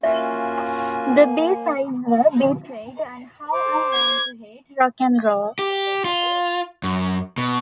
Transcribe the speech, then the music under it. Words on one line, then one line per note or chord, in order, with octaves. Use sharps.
The B-sides were "Betrayed" and "How I Learned to Hate Rock 'n' Roll".
A#3 C#4 F4 F#4 E5 G#5
C5 D6
G#6
G4
F4
F#2
B2